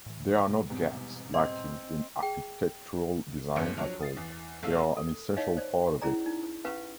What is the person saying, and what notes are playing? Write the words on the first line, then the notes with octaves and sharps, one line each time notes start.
They are not gaps lacking in architectural design at all, they are an essential part of it.
A2 E3
B2 G3
E2 G#2 C3
C4 D#5
G#4 G5
G1 D#2 C#3 B3 F6 C#7
F3 F#3 D4 C#5
D#6 A6 C7
E2
B1 A3 A4 F5 E6
A4
D#4 C#5 D#5 F5
C5 D5
C#4 E4 G#4 D5 A#5
D#4
C#4 G4 B4 F5 A5